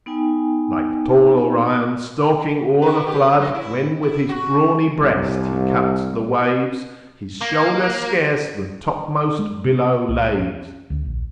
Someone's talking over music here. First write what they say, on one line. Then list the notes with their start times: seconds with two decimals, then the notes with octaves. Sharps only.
"Like tall Orion stalking o'er the flood: When with his brawny breast he cuts the waves, His shoulder scarce the topmost billow laves."
0.06 B3 D#4 G5 G#5
2.82 D#3 E3 B4
3.06 B3 G4
3.39 G2 F3 D#5
3.54 E4
4.02 E4
4.29 F#4
4.99 C2
7.41 A#3
9.39 G#3
9.64 C3
10.08 C2
10.38 C#4
10.90 D2
11.05 A#1